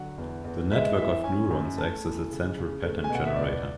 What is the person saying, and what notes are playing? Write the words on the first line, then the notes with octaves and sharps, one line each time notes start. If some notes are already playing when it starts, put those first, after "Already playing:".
The network of neurons acts as a central pattern generator.
Already playing: D3 F#3 F#5
E2
E2
G#3 E5
E3 E5
C#4 G#5
F#2
A3 A5
E3
C#3
C#3
A3
G#5
B2
F#5
E5
E2 D5